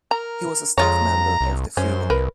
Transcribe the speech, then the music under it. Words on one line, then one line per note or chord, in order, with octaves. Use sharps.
He was a staff member of "The Freeman".
A#4 A#5
F2 G#3 F4 C#5 A#5
C2
F#2 C#4 C5
C2 A#4 B4